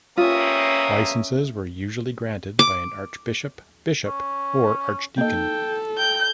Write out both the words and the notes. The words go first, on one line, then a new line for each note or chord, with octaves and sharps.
Licences were usually granted by an archbishop, bishop or archdeacon.
G2 C3 A#3 C#4 F4 A#4 E5 D#6
D6
C#4
A#3 D#4 A4 G5
G5 G6